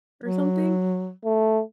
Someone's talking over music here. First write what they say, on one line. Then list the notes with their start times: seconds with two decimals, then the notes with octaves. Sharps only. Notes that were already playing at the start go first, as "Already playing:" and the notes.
or something?
0.24 F#3
1.25 A3